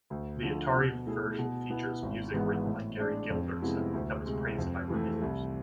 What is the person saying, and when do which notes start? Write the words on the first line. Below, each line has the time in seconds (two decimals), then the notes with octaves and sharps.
The Atari version features music written by Gary Gilbertson that was praised by reviewers.
0.10 D2
0.43 D3 F3
0.74 B2
1.06 A3 E4 G#4
1.38 B2
1.70 B3 E4
2.02 G#1
2.34 G#2 E3 G#3 B3
2.66 A2
2.97 G#3 D4
3.30 F2
3.62 C3 G#3 B3 E4
3.93 D2
4.25 C3 G#3
4.58 F2
4.90 E3 A3
5.21 C2